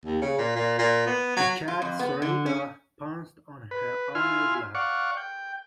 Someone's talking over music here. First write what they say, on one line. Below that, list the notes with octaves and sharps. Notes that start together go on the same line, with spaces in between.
The cat Sarita pounced on her owner's lap.
D#2
C#3
A#2
A#2
A#2
B3
F#3
F4
F2
B3
D3
C#4
B4
E4 F4 G#5 C6 F6
D5 F5 F#5 C#6
G5